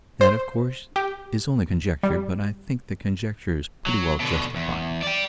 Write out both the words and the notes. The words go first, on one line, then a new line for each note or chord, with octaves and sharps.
That of course is only conjecture, but I think the conjecture is pretty well justified.
C5
G4
G3
F#3
B2 D3
E2
D5 G5